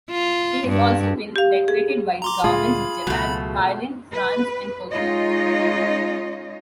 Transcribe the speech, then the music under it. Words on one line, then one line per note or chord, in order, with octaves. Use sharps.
He has also been decorated by the governments of Japan, Thailand, France and Korea.
F4
G2
G4 F5
G#4
A#5 C6 D6
D2 A#2 G#3 F4 G#4 B5
C#2 B2 F#3 A3
B4
G#3 C#4 D#4 F4 C#5 D#5